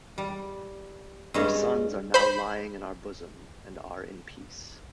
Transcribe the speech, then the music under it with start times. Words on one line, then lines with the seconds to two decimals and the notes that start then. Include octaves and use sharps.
Your sons are now lying in our bosom and are in peace.
0.18 G3
1.34 G2 G#3 C#4 E5 A#5 C6
2.14 C5 B5